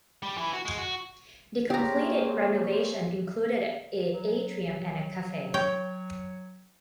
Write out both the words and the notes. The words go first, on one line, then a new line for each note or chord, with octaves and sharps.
The completed renovation included a atrium and cafe.
G3
E3
F#4
G#3
F#4
A#3 C4 G4 G#4 C#5 A#5
F#3
C#5 G5